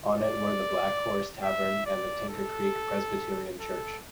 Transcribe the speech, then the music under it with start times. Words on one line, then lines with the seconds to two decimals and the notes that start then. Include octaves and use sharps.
On it were the Black Horse Tavern and the Tinker Creek Presbyterian Church.
0.12 D5
1.43 E5
1.86 D5
2.30 A4
3.61 A4